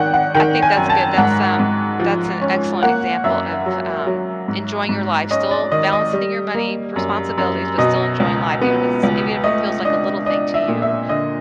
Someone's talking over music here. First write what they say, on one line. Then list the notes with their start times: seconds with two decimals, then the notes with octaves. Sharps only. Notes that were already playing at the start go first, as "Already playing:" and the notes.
I think that's good, that's, um, that's an excellent example of, um, enjoying your life, still balancing your money, responsibilities, but still enjoying life, even if it's even if it feels like a little thing to you,
Already playing: G#1 D#3 F#5 G5
0.14 F#5
0.35 D#3 G5
0.62 G#5
0.77 F#2
0.89 A5
1.18 G#2 F#5
1.59 G#2
2.00 F3
2.41 C#4
2.83 A#3 F#5
3.24 F#2 E5
3.66 F#3
4.07 F#3
4.48 G#2
4.89 G#2
5.31 C#4 D#5
5.51 D5
5.71 D#3 D#5
5.93 D#5
6.13 G3
6.55 A#3
6.96 F#2
7.38 F#2
7.78 B2 D#5
8.20 C#2
8.61 B3
9.03 C#2
9.44 A3 D#5
9.85 D4 D#5
10.26 D4 D#5
10.54 E5
10.68 A#2
10.82 E5
11.09 D3 D#5